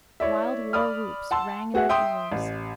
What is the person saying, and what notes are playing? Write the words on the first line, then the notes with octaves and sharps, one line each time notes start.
Wild war-whoops rang in their ears.
E4 C#5 D5 E5
D5 B5 D#6 F6
F#5 A5 C6 E6
B3 F#4 G#4 E5 F#5
E5 G5 C6 D#6
A1